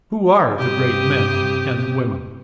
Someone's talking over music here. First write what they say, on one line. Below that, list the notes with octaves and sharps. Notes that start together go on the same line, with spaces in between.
Who are the great men and women?
G2 C3 G4 D#6